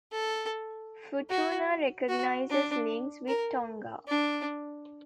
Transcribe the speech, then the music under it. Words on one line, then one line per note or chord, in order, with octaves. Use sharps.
Futuna recognizes links with Tonga.
A4
F#4
F#4
D4
A#4
D4